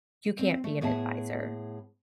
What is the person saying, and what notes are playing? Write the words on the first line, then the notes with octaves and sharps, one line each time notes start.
you can't be an adviser."
C4
A3
A2 B3 G#4 E5 A5